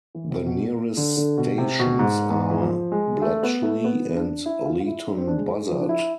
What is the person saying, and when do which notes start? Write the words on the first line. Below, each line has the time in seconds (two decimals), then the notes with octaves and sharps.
The nearest stations are Bletchley and Leighton Buzzard.
0.15 E3
0.31 C3
0.46 B2
0.97 D3
1.17 D3
1.37 B2
1.58 C3
1.79 B2
1.99 G#2
2.30 G#2
2.51 E3
2.61 F3
2.92 G#3
3.22 A3
3.43 B3
3.63 A3
3.84 B3
4.15 D4
4.46 E4
4.65 F4
4.80 F4
4.87 E4
5.07 D4
5.18 C4
5.27 D4
5.37 G#3
5.69 F3
5.79 D4
5.89 E4